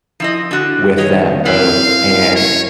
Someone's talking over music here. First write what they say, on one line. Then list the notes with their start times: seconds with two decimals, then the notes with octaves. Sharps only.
with them both, and
0.20 F3 E4 D#5
0.51 D3 F#4
0.98 D#3 C#5 D#5
1.45 E3 C4 E4 F5
2.35 C#5